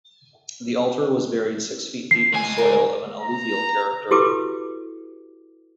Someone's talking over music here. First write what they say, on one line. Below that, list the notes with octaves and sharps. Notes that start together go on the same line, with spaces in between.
The altar was buried six feet deep in soil of an alluvial character.
F3 C7
C#2 G#5
A#4 D5
A#5
E4 F#4 G4 A4 B4 D6